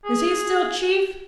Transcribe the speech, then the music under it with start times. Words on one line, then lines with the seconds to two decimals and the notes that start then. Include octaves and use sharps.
"Is he still chief?"
0.05 G#4